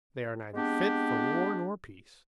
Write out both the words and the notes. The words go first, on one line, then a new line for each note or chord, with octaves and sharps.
They are neither fit for war nor peace!
G#3 B3 C4 D4 G4